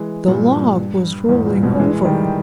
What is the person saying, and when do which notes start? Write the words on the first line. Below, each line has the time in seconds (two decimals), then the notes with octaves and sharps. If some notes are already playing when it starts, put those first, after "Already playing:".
The log was rolling over!
Already playing: E3 G#3
0.28 G2 A#2
0.53 G2
1.29 E2 G#2
1.45 G2 A#2
1.63 G#2 B2
1.79 E3 G#3
2.05 D#3 G3